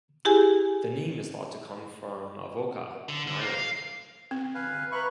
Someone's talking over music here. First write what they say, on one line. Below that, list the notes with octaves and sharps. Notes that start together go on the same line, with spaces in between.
The name is thought to come from Avoca in Ireland.
E4 G4 G#4 G#5
D3
D3
A#3
F5
C4
B4 F5 G#5
B4 E5 A#5 B5 C#6 F#6